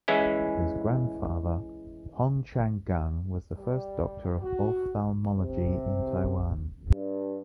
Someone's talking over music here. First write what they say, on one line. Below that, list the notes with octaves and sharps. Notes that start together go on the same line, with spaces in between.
His grandfather, Hong Chang-Gung, was the first Doctor of ophthalmology in Taiwan.
E3 G#3 C#4 E4
G3
F#4
C3
G2